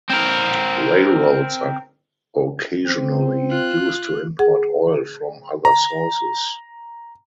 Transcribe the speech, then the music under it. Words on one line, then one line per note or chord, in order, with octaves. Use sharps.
Railroads are occasionally used to import oil from other sources.
C4 A#4
C4
F4 F#6
G#4 F#5
A#5